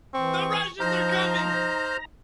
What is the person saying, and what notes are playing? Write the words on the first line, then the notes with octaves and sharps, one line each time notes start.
The Russians Are Coming!
E3 C4 C#6
F3 D#4 C5 A#5 F6 G6